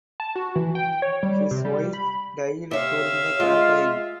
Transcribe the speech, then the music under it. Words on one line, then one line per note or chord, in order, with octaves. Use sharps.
His wife died during the campaign.
A5
F#4
E3
G5
C#5
G3
C3
G3
B5
C3 C#5 E5 F5
G#3 F4